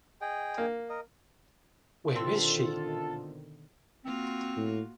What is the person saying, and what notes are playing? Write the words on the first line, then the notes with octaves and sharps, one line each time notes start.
Where is she?
G#4 D#5 G5
A#3
A#4 D#5
B2 D3 D#3 C4 F4 A4
A#3 C4 F4 F#4
A2